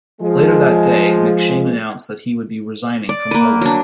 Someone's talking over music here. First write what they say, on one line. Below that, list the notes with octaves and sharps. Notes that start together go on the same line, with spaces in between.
Later that day, MacShane announced that he would be resigning from Parliament.
F3 G#3
D5
A#3 B4
F#3 D4